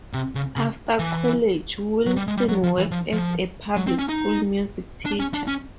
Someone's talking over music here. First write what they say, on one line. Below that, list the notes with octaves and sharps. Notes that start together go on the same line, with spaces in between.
After college, Willson worked as a public-school music teacher.
C3
C#3
C#3
E3
F#3
G3
G#3
G3
F#3
F3
E3
F3
F3
F#3
C4
C#4
D#4
D4
C#4
D4
C#4